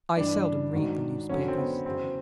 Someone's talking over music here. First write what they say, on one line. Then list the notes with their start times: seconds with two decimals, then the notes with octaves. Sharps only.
"I seldom read the newspapers."
0.17 G2 E3 D4
0.73 G#2 D#3 F#3
1.29 F2 D3 F#3 C#4
1.48 C4
1.58 B3
1.85 E2 C#3 F#3 C4